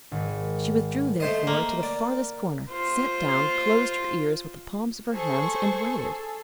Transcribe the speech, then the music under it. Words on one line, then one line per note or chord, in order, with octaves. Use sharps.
She withdrew therefore to the farthest corner, sat down, closed her ears with the palms of her hands, and waited.
G#1
A3 C5 D#5
A#3
D5
F4 C5
G#4 A4 C5 C#6